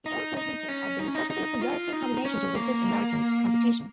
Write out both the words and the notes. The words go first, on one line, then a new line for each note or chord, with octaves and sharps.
He also hinted at the necessity for European combination to resist American competition.
D#4
D#4
C#4
D#4
C#4
D#4
D#4
F4
D#4
C#4
A#3